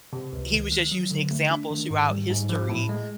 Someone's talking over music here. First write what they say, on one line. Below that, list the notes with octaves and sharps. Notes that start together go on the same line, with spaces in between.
he was just using examples throughout history
C3
C#2
D#3
G#3
F#3
D3
A3
D4
D#3
G#2
G3
G#2
F3
A2
G#3